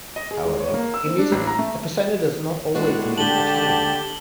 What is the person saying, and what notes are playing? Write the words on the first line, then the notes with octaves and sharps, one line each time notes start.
However, in music, a persona does not always mean a change.
D#5
G#4
G#3
C#5
A#3
E6
C4
D4
A1
A#5
A3
A2 G#3 D4 F#4
D3 G4 A5 F#7 G7